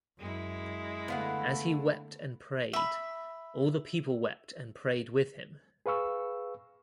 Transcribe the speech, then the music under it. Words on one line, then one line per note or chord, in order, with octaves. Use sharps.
As he wept and prayed, all the people wept and prayed with him.
F#2 G#3 E4
D3 A3 B3 F5 F#5
E5 B5
G#4 B4 F5 C#6 E6